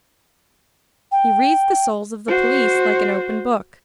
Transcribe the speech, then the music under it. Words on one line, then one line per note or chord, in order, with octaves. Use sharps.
He reads the souls of the police like an open book.
G5
F#4 C5